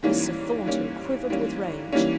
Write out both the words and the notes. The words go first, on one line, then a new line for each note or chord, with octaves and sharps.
Mr. Thornton quivered with rage.
G#2 E3 G3 A#3 C#4
G#2 E3 G3 A#3 C#4
G#2 E3 G3 A#3 C#4
E3 G3 A#3 C#4